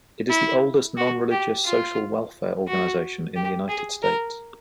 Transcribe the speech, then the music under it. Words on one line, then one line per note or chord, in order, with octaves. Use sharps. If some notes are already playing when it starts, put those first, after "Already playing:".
It is the oldest non-religious social welfare organization in the United States.
E4
F#4
G4
F4
F#4
G4
G#4
A#4